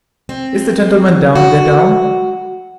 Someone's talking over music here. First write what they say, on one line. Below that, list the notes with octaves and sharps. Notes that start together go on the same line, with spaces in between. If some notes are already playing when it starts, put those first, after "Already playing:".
"Is the gentleman down in the town?"
C4
F#4